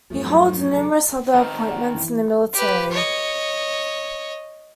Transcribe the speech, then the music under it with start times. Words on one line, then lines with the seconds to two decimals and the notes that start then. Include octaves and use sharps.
He holds numerous other appointments in the military.
0.10 E2 G2 F3 A3
0.27 F#3 D#4
0.73 E2 C#3 A4 A#5
1.34 D#3 C4 D#5
1.68 D5 F#5
1.95 E3
2.53 G4 B4
2.91 C#5 D#5